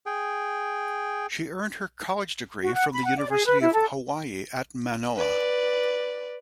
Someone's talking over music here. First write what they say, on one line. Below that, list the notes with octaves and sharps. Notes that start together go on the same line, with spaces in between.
She earned her college degree from the University of Hawaii at Manoa.
G#4 G5
F#4
F#5
B5
F#5
D5
G#4
B4
E4
A4
B4 D5